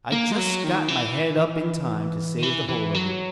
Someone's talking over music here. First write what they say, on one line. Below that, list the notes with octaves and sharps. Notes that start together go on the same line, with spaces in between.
I just got my head up in time to save the whole of it.
A#3
G#3
F#3
D#3
E3
D#3
E3
E3
F#3